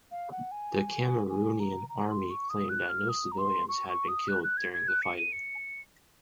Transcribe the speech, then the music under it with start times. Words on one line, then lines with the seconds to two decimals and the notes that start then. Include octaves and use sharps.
The Cameroonian Army claimed that no civilians had been killed during the fighting.
0.11 F5
0.32 F#5
0.52 G#5
1.30 G#5
1.60 A#5
1.89 A#5
2.10 C6
2.30 C#6
2.50 D#6
2.69 F#6
2.89 F6
3.09 D#6
3.32 A#5
3.38 C6
3.69 C#6
3.89 C#6
4.08 D#6
4.28 F#6
4.44 F#6
4.57 G#6
4.73 G#6
4.88 F#6
5.02 C#7
5.17 D#7
5.32 C#7